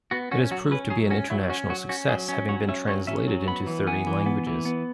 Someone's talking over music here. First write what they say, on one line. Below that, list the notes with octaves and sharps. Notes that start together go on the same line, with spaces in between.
It has proved to be an international success, having been translated into thirty languages.
B3 F#4
C#4 F#4
F#3 F#4
C#4 B4
F#3 G#4
C#4 F#4
F#3 E4
C#4 F#4
F#3 F#4
C#4 F#4
F#3 G#4
C#4
F#3 C#5
C#4 E5
F#3 C#5
C#4 E5
F#3
B3 B5
E3
B3 G#5
E3
B3
E3
B3